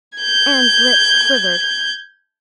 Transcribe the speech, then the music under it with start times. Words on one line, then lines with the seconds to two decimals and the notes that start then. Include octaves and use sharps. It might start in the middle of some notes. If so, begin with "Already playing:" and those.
Anne's lips quivered.
0.18 G6 G#6